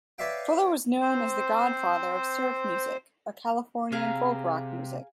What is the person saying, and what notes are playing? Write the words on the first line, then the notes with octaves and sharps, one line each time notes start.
Fuller was known as the "Godfather" of surf music, a Californian folk rock music.
B4 C#5 D5 E5 F5 G5
C4 C5
C3 G#4 F5 A#5